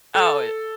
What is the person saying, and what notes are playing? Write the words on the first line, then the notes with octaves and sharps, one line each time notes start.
Oh, i
A4